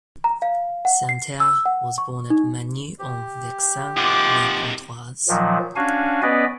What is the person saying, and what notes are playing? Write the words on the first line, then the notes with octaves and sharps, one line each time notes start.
Santerre was born at Magny-en-Vexin, near Pontoise.
A#5
F5
F#5
C7
E6
F#5
C#6
D#4
G4
D#2 C3 F3 F#5 D6
A#2 D#3 F3 F#3
C#4 D4 F#4 F5 G#5
B3 C#4 B4 D5 D#5